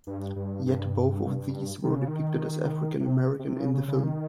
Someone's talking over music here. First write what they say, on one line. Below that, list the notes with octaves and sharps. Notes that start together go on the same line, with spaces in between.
Yet both of these were depicted as African American in the film.
G2
G2
G2
D#3
C#3
D#3
C3
C3
C#3
C#3
C#3
D#3